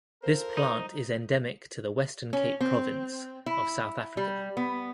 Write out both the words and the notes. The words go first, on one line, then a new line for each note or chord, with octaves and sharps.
This plant is endemic to the Western Cape province of South Africa.
F4 A4 A#4 C5
D#4
C#4
C4
E4
G3
B3